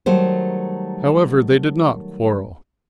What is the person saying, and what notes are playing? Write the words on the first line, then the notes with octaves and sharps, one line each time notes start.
However, they did not quarrel.
D#3 F#3 G3 A3 C5